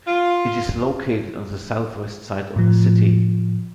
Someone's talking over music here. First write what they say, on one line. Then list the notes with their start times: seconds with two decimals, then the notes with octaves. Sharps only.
It is located on the southwest side of the city.
0.07 F4
2.56 A2 F3